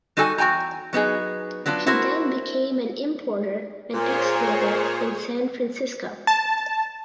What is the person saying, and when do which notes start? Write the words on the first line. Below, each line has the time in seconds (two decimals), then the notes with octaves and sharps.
He then became an importer and exporter in San Francisco.
0.17 G3 D#4 F#4 A4 G#5
0.38 E2 F#4 G5 G#5 A#5
0.93 F#3 B3 D#4 G#4
1.66 F#3 B3 D4 F4
1.87 E4 F#4 A#4 C5
3.94 A#2 G#4 C5 C#5
6.27 A5